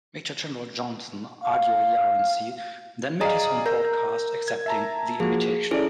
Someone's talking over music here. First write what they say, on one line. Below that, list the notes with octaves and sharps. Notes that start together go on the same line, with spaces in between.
Major General Johnson Aguiyi-Ironsi then made his own broadcast, accepting the "invitation".
F5
G#4 D5 D#5 F5 A#5
A#4 A#5 G6
G#6
E5 A5 A#5
F3 A#3 F#4 G#4
C#4 E4 G#4 A4 D5